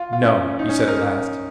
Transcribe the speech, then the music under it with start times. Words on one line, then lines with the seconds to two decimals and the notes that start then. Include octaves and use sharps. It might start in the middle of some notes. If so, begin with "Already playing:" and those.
'No,' he said at last.
Already playing: F4
0.13 F4
0.22 C#4
0.59 D#4
0.69 C#4
0.78 D#4
0.88 A#4